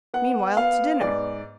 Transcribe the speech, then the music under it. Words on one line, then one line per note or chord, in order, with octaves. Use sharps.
Meanwhile, to dinner!
B3 F#5
B3 F5
G#2 D5